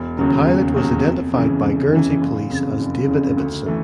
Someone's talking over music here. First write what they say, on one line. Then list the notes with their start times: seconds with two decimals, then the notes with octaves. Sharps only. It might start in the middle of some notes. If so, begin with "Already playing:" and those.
The pilot was identified by Guernsey Police as David Ibbotson.
Already playing: E1
0.17 D#2 C#3 F#3
0.46 E1
0.76 D#2 C#3 F#3
1.04 F2
1.34 C#3 E3
1.63 F2
1.92 C#3 E3
2.21 F#1
2.50 F2 C#3
2.79 F#1
3.08 F2 C#3
3.37 D2
3.66 E3 A3